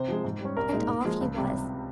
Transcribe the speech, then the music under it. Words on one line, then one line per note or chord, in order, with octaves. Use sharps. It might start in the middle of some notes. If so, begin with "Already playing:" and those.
And off he was.
Already playing: C3 C5
F3 G#3
G#2
G3 C#4
C2 A#4
A#2 G#3 D#4
A#2
F3 G#3
C#2
C3 G3